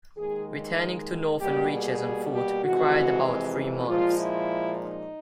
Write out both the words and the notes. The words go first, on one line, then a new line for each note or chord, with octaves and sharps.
Returning to northern reaches on foot required about three months.
D#2 D#3 G#3 G#4
B2 G3 A#3 G4
G#4
G4
F2 C3 E3 G#3 F#4
A#2 F3 G#3 F4
E4
D#4